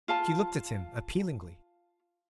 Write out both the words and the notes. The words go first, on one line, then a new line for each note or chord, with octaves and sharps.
She looked at him appealingly.
F4 F5 A5